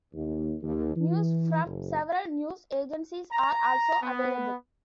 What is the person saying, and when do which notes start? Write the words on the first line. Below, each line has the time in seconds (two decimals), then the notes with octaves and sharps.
News from several news agencies are also available.
0.14 D#2
0.63 D#2
0.96 E3
1.64 F#1
3.32 A#5
4.02 B3